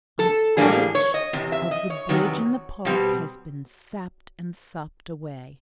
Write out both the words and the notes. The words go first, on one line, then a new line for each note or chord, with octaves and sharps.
An arch of the bridge in the park has been sapped and sopped away.
A4
A2 E3 G3 A#3 D4 G#4
C#5
D#5
E2 C3
E5
D#5
C#5
E2 C3 D#3 F#3 B3
B2 G3 C4